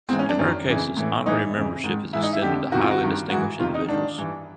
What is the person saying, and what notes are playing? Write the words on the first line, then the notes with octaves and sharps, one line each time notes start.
In rare cases, honorary membership is extended to highly distinguished individuals.
G#2 E3 C4
C#4
D4
F#2 D#3
F2 C#3 E3
A2 E3
A2 E3 D#4
F2 C#3 E3
G#2 D#3
G#2 E3 E4
D#4
E4
F2 D3 G4
F2 C3 D#3 F#4
F4
F#4
G2 D#3
G#2 E3 F#4
F2 C3 D#3 F4
D#4
G#2 D#3 D4
G2 E3